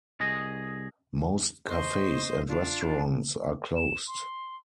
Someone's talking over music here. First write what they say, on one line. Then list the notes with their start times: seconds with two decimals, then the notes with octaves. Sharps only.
Most cafes and restaurants are closed.
0.20 C2 G#4 D#5
1.69 C5 D#5 C6 C#6
2.48 D4 F4
3.76 E7
4.08 C6